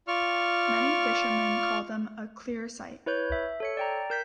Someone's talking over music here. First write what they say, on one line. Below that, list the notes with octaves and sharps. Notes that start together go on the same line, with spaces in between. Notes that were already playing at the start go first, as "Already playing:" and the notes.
Many fishermen call them a "clear sight".
F4 D5 C#6 F6
E4 B4 C#5 G6
E5
A4 C#5 C#7
D5 G5 A#5
A#4 G6 B6